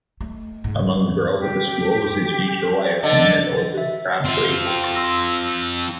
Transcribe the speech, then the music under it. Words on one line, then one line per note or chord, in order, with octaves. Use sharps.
Among the girls at the school was his future wife, Eunice Elizabeth Crabtree.
A3
G#2
G4
D3 D#5 A6
E5
C4 F4
G5
C6 E6 A#6